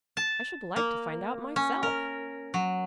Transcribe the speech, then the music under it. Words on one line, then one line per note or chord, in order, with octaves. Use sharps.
"I should like to find out myself."
A5
A#3
C#4
A#4
F#3